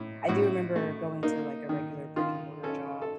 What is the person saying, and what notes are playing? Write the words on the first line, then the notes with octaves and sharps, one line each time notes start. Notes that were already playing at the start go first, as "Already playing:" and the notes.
I do remember going to, like, a regular brick and mortar job,
Already playing: A2
A2 F#4
A3
A#3 D#4
D#3
D#3 F4
C#4 A4
A4